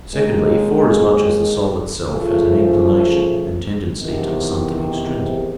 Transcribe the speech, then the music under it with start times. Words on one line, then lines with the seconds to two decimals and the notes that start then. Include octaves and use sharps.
Secondly, forasmuch as the soul itself has an inclination and tendency to the something extrinsic.
0.13 D#2 D#3 G#3
2.08 C#3 F3 A3
4.02 E2 C3 D#3